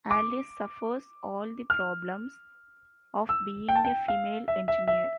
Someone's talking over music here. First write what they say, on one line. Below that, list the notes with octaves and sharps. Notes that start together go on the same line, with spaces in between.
Alice suffers all the problems of being a female engineer.
D6
F6
E6
G5
A5
G5
F5
E5
E5
E5